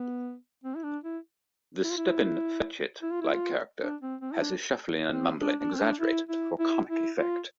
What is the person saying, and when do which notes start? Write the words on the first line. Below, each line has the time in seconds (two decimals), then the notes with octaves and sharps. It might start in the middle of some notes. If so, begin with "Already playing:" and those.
The Stepin Fetchit-like character has his shuffling and mumbling exaggerated for comic effect.
Already playing: B3
0.64 C4
0.76 E4
0.83 D4
1.04 E4
1.84 E4
1.90 F4
1.97 E4
3.02 E4
3.11 F4
3.21 E4
3.32 F4
3.81 D4
4.01 C4
4.21 C4
4.33 E4
4.40 D4
5.10 C4
5.40 D4
5.60 D4
5.74 C4
5.80 D4
6.00 E4
6.29 E4
6.59 E4
6.89 E4
7.18 F4